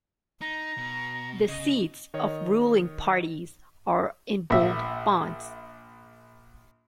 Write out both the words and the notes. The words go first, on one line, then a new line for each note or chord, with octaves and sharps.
The seats of ruling parties are in bold fonts.
D#4 A#5
B2
C#3 D#5
D#3 C#5 D#5
A#1 E5